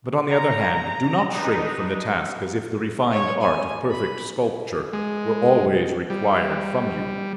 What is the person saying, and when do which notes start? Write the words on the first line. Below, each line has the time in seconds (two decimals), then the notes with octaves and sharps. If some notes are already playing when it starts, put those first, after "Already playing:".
But, on the other hand, do not shrink from the task as if the refined art of perfect sculpture were always required from you.
0.30 A#5
1.33 D4 D#4 B4
3.12 C#5
3.41 G#5
3.90 B5
4.93 G#3
6.10 G3